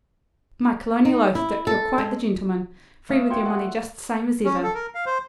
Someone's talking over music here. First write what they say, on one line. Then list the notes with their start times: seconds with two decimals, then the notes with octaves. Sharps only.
'My colonial oath, Dick, you're quite the gentleman--free with your money just the same as ever.
1.05 D#4
1.35 E4
1.67 A4
1.98 G#3
3.09 A3 F5 D#6 E7
3.30 F#4 C#5 G5 C6
3.45 F#4 A4 D5 F#5
4.45 C#4
4.63 A4
4.74 A#4
4.95 F5
5.06 C5